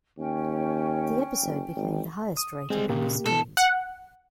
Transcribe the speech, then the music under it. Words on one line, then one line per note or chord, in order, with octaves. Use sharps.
The episode became the highest rated in the series.
D#2 C#4 G5
F#1
G#1
D#6
G3 G#3 C4 G#4
A#2 C#3 A#3 G4
B2 E3 A4
F#5